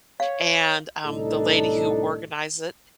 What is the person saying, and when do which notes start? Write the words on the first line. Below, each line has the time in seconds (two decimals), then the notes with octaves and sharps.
and, um, the lady who organized it
0.20 C#5 F5
1.06 C2 A2 D4 D#4 A4